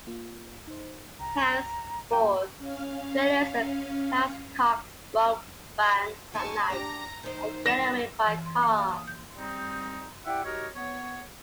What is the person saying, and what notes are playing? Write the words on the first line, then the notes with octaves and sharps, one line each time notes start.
Henceforth, Willis and Glasscock rob banks at night and get away by car.
A#3 F4
D#4 C5
C2 G5 A#5
A#2 G5
C#4 F5
D#2 D#4 G#5 A5 C#6
D4 G4 A#5 A#6
D#3 D#4 C5
G3 A#6 E7
E3
C6
A#3
F5
D#6
G6
G3 C4 D#4
E4 G4 D5 E5 F#5 G5
D#4 F#4 G4 A#4 C#5 D#5
B3 C#5